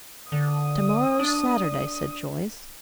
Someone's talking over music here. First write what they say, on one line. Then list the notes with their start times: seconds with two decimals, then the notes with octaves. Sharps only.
"To-morrow's Saturday," said Joyce.
0.32 D3 D#6
1.19 D4